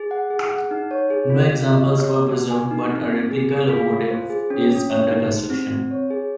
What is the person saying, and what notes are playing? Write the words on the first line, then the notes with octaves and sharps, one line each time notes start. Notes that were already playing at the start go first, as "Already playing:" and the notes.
No examples were preserved but a replica locomotive is under construction.
Already playing: G#4
F#5
G#4
F#5
D#4
C#5
G#4
F4
F4
D#5
C#5
F#4
F#4
G#5
D#4
C4
C4
G#4
G#4
F4
F4
C5
G#4
C#4
C#4
C#5
D#4
C5
C4
F#4
C#5
G#4